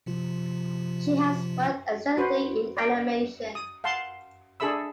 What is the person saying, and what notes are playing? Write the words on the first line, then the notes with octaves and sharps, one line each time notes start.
She has worked extensively in animation.
C3 F3 F4
F#4 B4 C5
D5 G5
D#6
F5 F#5 A5 C6
D4 G#4 A4 E5 B5 E6